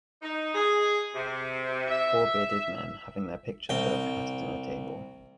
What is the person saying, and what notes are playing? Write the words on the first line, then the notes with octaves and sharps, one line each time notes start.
Four bearded men having their picture took at a dinner table.
D#4
G#4
C3
E5
C2 G5